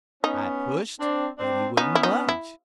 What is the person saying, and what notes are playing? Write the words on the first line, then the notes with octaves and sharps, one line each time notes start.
I pushed, but he wouldn't budge.
B3 C#4 D#4
C4 D4
C4 D4
B3 C#4 D#4
E4
D#4
E4